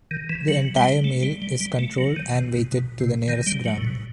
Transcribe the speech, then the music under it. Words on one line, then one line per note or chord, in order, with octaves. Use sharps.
The entire meal is controlled and weighted to the nearest gram.
D#3
E3
F#3
G3
A3
G3
G3
G3
A3
F#3
D#3
C3
B2
B2
C3
D#3
G3
F#3
A2
B2